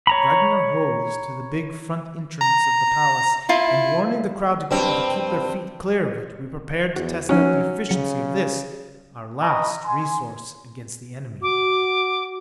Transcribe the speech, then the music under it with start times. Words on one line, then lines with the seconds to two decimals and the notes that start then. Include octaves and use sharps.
Dragging our hose to the big front entrance of the palace, and warning the crowded people to keep their feet clear of it, we prepared to test out the efficiency of this, our last resource against the enemy.
0.07 C#5 A#5 B5
2.41 A#5
3.49 E4 F4
4.71 G2 C4
6.96 E2 F#4
7.29 F3 F#3 C#4 D#4 F#4
7.89 C#3 F#3 C#7
9.40 B4 D#5 A#5 B5 C#6
9.84 G#5 C6
11.42 F#4 D6